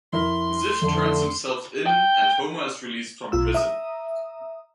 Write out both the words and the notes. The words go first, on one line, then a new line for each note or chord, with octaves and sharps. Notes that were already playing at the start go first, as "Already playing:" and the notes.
Ziff turns himself in, and Homer is released from prison.
F2 E4 A#4 C6
F2 D3 A3
G5
B1 F4 E6
E5 A#5 D#6